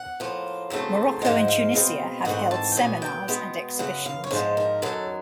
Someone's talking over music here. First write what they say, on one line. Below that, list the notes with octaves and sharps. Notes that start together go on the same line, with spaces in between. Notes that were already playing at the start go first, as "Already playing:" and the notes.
Morocco and Tunisia have held seminars and exhibitions.
Already playing: F#5
A2 F3 A#3
E2 C#3 F#3 A3 C4
G#2 F3 G#3 F#5
F5
B2 G#3 C4
G#2 E3 A3 C4 F#5
A5
G5
A#2 F#3 B3 G#5
G5
B2 G#3 B3
F#2 C#3 F#5
F5
C#5
G#2 F3 G#3 C5
A#4
F#2 D#3 F#3 A4